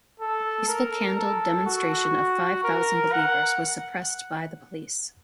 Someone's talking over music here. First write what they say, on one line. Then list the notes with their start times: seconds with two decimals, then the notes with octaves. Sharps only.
The peaceful Candle Demonstration of five thousand believers was suppressed by the police.
0.20 A4
0.69 A#4
1.18 A4
1.66 F#4
2.64 A#4
3.13 F#5